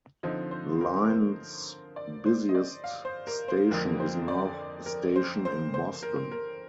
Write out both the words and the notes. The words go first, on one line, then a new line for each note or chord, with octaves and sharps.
The line's busiest station is North Station in Boston.
D3 F3 C4 D#4 D#5
C5
A#4
A#4
C5
D5
C5
D#5
D5
F5
C5
A#4
C5
F2 D3 F3 A#3 D4 A#4
C5
D5
A#4
C5
C5
C5
A#4
A#4